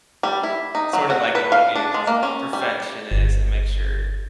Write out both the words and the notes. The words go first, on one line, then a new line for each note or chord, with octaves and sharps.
sorta, like you wanna be a perf perfectionist and make sure,
G3
E4
D#4
F#3
F#4
B4
F5
D4
G#3
A#3
C#4
G3
G1